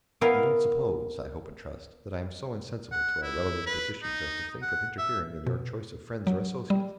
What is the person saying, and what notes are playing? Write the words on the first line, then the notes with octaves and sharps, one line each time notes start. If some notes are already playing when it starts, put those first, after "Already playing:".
You don't suppose, I hope and trust, that I am so insensible to our relative positions as to think of interfering in your choice of friends or associates.
B3 E4 A#4 F5
F#5
E4
B4
D#4
F#5
E5
B2
F#3
G3